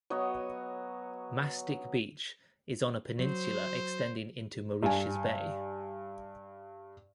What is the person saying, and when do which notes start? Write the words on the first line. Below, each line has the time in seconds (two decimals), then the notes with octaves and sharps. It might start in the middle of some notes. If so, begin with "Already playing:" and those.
Mastic Beach is on a peninsula extending into Moriches Bay.
0.10 F#3 B3 C#5 D#5
3.19 F#3 C5
4.83 G2 G#5